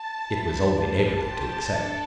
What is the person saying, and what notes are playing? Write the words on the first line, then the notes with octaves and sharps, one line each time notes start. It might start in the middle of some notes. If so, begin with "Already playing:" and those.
It was only neighbourly to accept.
Already playing: A5
A3 E4 A4
A3 E4 G4 A5
C4 G4
D4 A4